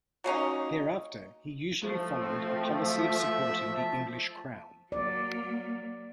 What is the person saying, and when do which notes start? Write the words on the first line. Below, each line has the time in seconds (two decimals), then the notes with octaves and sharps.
Thereafter he usually followed a policy of supporting the English crown.
0.24 F#3 A#3 C#4 D#4
1.83 F3 A3
2.21 C4
2.79 E5
3.76 A5
4.92 F#3 A#3 D5